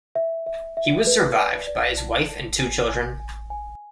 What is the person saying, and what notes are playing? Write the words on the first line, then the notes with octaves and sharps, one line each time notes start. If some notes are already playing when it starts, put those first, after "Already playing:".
He was survived by his wife and two children.
E5
E5
E5
B4
D5
D5
A5
A5
G#5
G#5
G#5
G#5